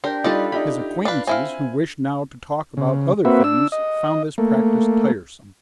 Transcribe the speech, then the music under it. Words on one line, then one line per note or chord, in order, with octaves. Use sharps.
His acquaintances who wished now to talk about other things found this practice tiresome.
D4 G4 A#4 C5
G3 D#4 F4 A4 B4 D5 A5
D#4 E4 G4 B5
D4 B4 F5
C4 E4 F5 G#5
C#3
A#3 C4 F#4 B4 E5
D4 E6
D#5
A3 A#3